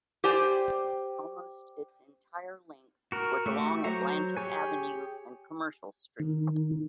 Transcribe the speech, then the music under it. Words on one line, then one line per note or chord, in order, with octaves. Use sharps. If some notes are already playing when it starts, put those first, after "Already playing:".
Almost its entire length was along Atlantic Avenue and Commercial Street.
G4 C5 D5 G5 G#5
F#4 A#4
A3 F#4 G4
F#3 F#4 C5 A#5 C#6
G4 G#4 C#5 G#5
D#3